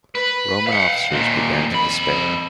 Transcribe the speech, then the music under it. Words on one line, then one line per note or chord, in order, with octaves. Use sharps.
Roman officers began to despair.
B4
F5 F#5
D#2 A#2
F2 B5